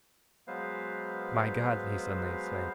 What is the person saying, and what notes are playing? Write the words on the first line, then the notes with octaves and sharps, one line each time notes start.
'My God!' he suddenly exclaimed.
F#3 G#3 B3 B4 C5 F5